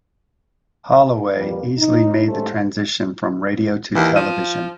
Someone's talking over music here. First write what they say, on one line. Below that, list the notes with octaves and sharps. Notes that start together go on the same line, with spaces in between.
Holloway easily made the transition from radio to television.
F2 F3 G3 A#3 B4
D#4
G#2 G3 A3 C#4 C5
D#2 E3
F3 D#7